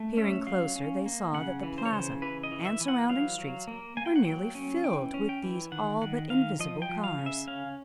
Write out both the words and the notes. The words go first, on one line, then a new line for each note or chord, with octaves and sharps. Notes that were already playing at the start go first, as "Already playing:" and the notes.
Peering closer they saw that the plaza and surrounding streets were nearly filled with these all but invisible cars.
Already playing: A3
C#4 E5
F#3 F5
C#4
A#3
C#3 F#5
E3
C5
C#5
C#3 C5
E3 B4
D#5
E3
E5
E3
F#5
F#3 F5
F#3
A#3
A#3 G#5
G5
F#5
F#3 G5
C#4
E3 G5
C#4
G5
E3
D#3 F#5
D#3 F#5
D#3 F5
F3 D#5
G5
F3
F5
C#3
E5
C#4 F5